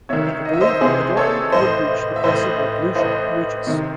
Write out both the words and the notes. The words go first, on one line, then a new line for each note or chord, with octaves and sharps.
In a believer adornment would reach the places where ablution reaches.
C3 D#3 C#5 E5
D#5
E5
C5 D#5
C3 E3 G#4 C5
A4 C#5
A2 E3 C5 D#5
E5
A2 E3 C5 D#5
A2 E3 C5 D#5
C3 D#3